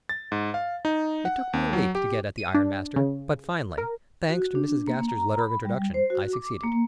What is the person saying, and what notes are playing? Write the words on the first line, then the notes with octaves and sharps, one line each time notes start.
It took me a week to get at the iron-master; but finally, thanks to Mrs. Gaster's letter of introduction, I succeeded.
A6
G#2
F5
D#4
F#5
D#2
F#3
G4
D#7
D4
C#3
A#4
F#4
D4
A#3
A#5
B5
G3
C5
F#4
D6
A#3